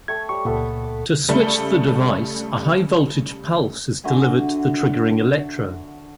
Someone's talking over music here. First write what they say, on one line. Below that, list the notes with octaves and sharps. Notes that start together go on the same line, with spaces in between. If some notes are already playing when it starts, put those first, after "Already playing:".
To switch the device, a high voltage pulse is delivered to the triggering electrode.
A3 G5 C#6 G#6
G3 C#5 C#6
C#2 A#2 A3 B3 A4
D6
C#3 G3 A3 A4
D3 F#4 E5 G#5